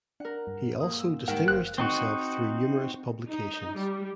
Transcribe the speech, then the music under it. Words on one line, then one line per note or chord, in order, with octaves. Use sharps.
He also distinguished himself through numerous publications.
D4 A#4 F#5
G2
A#2 D#6
E6
G#2 G3 D#4 A#4 F#5 G5
G1 C5 F5 F#6
C4 D#4 F#4
D#4
G3